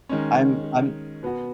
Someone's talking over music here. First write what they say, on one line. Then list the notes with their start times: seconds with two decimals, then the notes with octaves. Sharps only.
I'm I'm
0.09 D#3 G#3 C#4
1.23 B2 B3 F#4